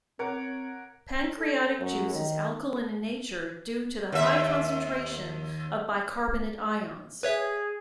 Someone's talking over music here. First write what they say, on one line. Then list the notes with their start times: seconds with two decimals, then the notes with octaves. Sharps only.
Pancreatic juice is alkaline in nature due to the high concentration of bicarbonate ions.
0.19 C4 A#4 C#5 F#5 D6
1.38 A4
1.79 F#2
2.14 D#3
4.12 D#2 E5
7.23 G#4 B4 C#5 E5